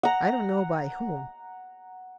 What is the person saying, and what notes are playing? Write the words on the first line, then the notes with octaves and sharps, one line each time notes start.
I don't know by whom.
F#5 A#5